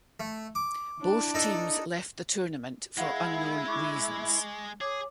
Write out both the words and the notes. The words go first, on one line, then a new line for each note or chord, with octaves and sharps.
Both teams left the tournament for unknown reasons.
A3
D6
D4 E4
D#4 A4
G#3 E4 G#4 F5 F#5
C#6 D6
G#4 C#5 D6